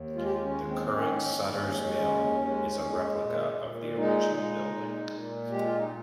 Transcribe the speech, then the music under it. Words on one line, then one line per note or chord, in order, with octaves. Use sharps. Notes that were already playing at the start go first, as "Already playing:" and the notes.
The current Sutter's Mill is a replica of the original building.
Already playing: D#2
G#3 F4
G4
F4
C#4
D#2
C4
C4
D#3 C#4
D#2
G#3
D#2
G#3
G#3
A#2
A#2
G#3 D#4
G#3
A#2
A#2
G#3 G4
F4
D#4